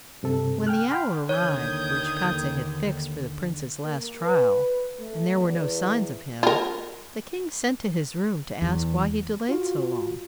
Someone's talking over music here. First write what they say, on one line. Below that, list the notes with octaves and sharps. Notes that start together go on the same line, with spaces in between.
When the hour arrived which Kostiei had fixed for the prince's last trial, and there were no signs of him, the king sent to his room to ask why he delayed so long.
G2 C3 A4
G5 G#5 F6 F#6
F#5 G5 B5 C6 F6
D#2 D3 D#3 C#5 D#6 G6 G#6
A#3
B4
A3
E2
F4 A#4
E2
F4 F#4